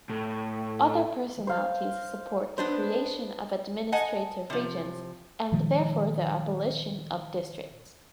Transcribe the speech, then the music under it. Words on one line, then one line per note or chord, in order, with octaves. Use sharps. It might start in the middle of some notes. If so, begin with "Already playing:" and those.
Other personalities support the creation of administrative regions and therefore the abolition of districts.
A2
C5 F5
B3 D4 C5
D#5 F#5 G#5 A5
C3 F3
A#2 D#3 F3 G#3